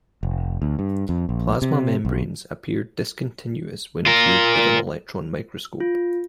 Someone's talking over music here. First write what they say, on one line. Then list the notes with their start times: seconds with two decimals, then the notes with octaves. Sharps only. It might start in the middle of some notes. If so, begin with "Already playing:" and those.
Plasma membranes appear discontinuous when viewed with an electron microscope.
0.23 F1
0.62 D2
0.79 G2
1.09 F2
1.29 A#1
1.62 C3
2.05 B1
4.06 F4 A#4
5.80 F4